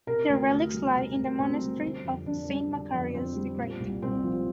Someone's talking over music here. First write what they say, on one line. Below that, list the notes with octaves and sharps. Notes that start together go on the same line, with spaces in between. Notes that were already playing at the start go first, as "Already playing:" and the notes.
Their relics lie in the Monastery of Saint Macarius the Great.
C3 A#4
D2
D2
G3
C3
D2
D2 C4
G3
D3
F2
F2 D4
G3
D3
F2
F2 C4
G3
A#2
C2
C2 C4
F3